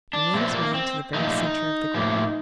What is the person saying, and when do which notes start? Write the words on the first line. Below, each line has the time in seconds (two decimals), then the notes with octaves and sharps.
He made his way into the very centre of the group.
0.13 D4
0.34 A#2 F3 A3 C4
0.54 A#3
0.74 C4
1.14 A#2 F3 A3 D#4
1.94 A2 F3 A#3